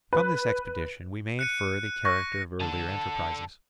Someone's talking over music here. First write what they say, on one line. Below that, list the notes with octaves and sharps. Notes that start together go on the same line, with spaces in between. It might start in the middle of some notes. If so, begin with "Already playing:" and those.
And from this expedition we may infer the character of earlier enterprises.
B4
F#6 C#7 D#7
C#6 A#6
D3 A4